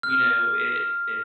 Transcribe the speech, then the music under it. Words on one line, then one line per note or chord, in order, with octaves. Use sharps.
you know, it it
F6